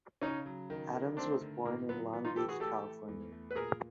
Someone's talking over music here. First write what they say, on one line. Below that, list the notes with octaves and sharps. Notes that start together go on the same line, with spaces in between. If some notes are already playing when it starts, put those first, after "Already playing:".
Adams was born in Long Beach, California.
C#3 C#4 D#4
F#3
D#3
D#3
A3 C4 D4
D3
A2 A#3
F#3 B3
E3 B3
D#4 F4
E3 G4 A4
F#4 G#4
A3 G4 A4
A3
E2
A3
B4
A#2 G#4 A#4